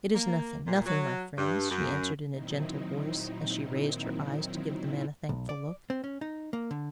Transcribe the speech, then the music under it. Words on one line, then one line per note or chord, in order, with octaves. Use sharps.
"It is nothing, nothing, my friends," she answered in a gentle voice, as she raised her eyes to give the man a thankful look.
A#3
A#2
F#3
G2
F#2
A#2 D#3 F#3 C4 D#4 E4
B1
D5
C4
C#4
D#4
A#3
D3